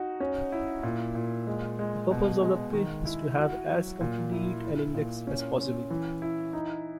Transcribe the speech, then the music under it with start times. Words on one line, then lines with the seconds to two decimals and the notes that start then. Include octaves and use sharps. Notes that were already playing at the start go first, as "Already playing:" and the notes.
The purpose of the page is to have as complete an index as possible.
Already playing: D#4 F#4
0.20 C#4
0.52 E4
0.83 A#2
1.15 A#2
1.47 G#3
1.79 G#3
2.11 B2
2.42 G#3
2.73 D#3
3.05 E4
3.37 F#4
3.69 F#3
4.01 A#2
4.32 E4
4.64 E4
4.95 A#2
5.27 C#4
5.58 C#4
5.90 E3
6.22 E4
6.53 D#4